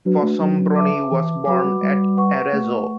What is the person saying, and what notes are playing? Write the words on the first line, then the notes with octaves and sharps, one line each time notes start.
Fossombroni was born at Arezzo.
F#3 D4 F#4 B4
A3
F#3
B4 E5 A5 D6
E3
F#3 F#4 B4 F#5 B5 D6
G3
G3
B4 F#5 C#6
A3